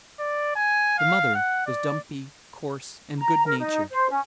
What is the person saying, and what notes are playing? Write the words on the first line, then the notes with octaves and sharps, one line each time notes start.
The mother was dumpy, coarse, and good-natured.
D5
G#5
F5
F#5
D5
A#5
A#4
D#4
C5
C#4